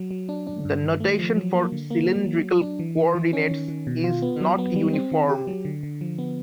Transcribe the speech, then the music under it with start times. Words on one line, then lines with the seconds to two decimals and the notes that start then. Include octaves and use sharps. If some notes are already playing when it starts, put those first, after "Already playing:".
The notation for cylindrical coordinates is not uniform.
Already playing: F#3
0.11 F#3
0.29 D4
0.47 D4
0.65 G2
0.83 D#3
1.00 A3
1.19 F3
1.36 F#3
1.54 A#3
1.72 D3
1.90 A#3
2.08 F#3
2.25 F#3
2.43 F#3
2.61 D4
2.79 E3
2.97 E3
3.15 E3
3.33 C#4
3.51 D#3
3.68 D#3
3.87 B2
4.04 F4
4.22 B3
4.41 F#3
4.58 B3
4.76 G3
4.93 C4
5.12 D#3
5.29 G4
5.47 F#3
5.65 D3
5.83 D3
6.01 F3
6.18 B3